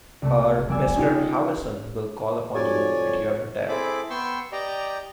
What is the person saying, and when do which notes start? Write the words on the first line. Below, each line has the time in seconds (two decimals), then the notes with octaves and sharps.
Our Mr Howison will call upon you at your hotel.
0.22 C2 A3
0.69 G3 B3 D5 G#5 E6 G#6
0.96 C#4 D#4 F4 G4
2.55 F2 F#4 G4 C#5 D5 G#5
3.68 C4 E4 G#4 A4 B5 D6
4.10 B3 G5 C6 C#6 E6
4.52 G4 D5 D#5 G5 A#5